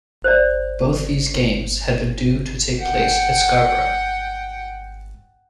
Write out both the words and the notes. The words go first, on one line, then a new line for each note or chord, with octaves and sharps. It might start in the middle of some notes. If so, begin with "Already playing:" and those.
Both these games had been due to take place at Scarborough.
C5 D5
F#5 G5